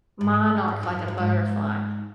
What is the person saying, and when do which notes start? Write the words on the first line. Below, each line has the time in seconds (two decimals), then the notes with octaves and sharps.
Monarch, like in a butterfly.
0.21 G#2
0.68 G#2
0.83 F#2
0.99 G#2
1.08 F#2
1.18 G#2